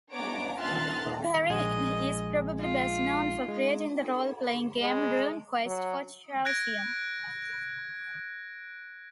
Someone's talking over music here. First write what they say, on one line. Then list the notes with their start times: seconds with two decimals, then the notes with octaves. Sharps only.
Perrin is probably best known for creating the role-playing game "RuneQuest" for Chaosium.
0.11 B3 D4 C#5 A#5 D6 D7
0.59 D4 E5 C6 F6 F#6 A6
1.50 A#1 G#3 D#5 G#5
2.60 F4
3.48 G#3
4.82 G#3
5.66 F#3
6.45 F#6 G#6 A#6 D7